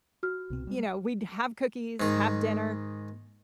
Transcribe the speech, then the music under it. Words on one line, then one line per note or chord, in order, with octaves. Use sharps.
y you know, we'd have cookies, have dinner,
F#4 F6
C2 B2 C4
G3 G#3
G#2 D#3